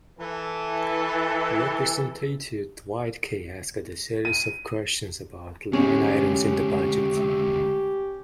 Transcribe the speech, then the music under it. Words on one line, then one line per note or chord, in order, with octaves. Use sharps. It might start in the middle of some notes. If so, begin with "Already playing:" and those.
Representative Dwight Kay asked a series of questions about line items in the budget.
E3 A4
D#7
D2 G#3 C#4 G4